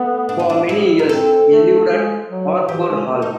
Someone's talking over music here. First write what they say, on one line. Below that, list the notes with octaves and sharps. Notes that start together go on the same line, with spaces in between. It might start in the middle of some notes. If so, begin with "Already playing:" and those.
For many years he lived at Orford Hall.
Already playing: A3 B3
D4
D#4
D4
E4
A#4
C4 A4
A3
G#3
F#3
E3 G4
G#3
A3
D#4